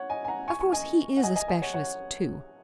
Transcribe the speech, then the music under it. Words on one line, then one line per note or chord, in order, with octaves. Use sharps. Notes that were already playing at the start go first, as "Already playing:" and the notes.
Of course he is a specialist too.
Already playing: C#5 F#5
D#5 G#5
G#5
F#5 A#5
G#5 C#6
G#5 C#6
D#5 G#5
F#5
D#5 G#5
D#5 G#5
D#5 G#5
C#5 F#5
C#5 F#5